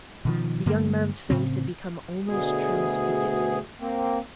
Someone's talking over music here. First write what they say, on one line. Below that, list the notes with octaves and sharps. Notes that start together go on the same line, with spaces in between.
The young man's face had become almost transfigured.
B2 D#3 F3
G2 D3 G3 A#3
A2 C#3 C4
D2 B2 G#4
A#3 C4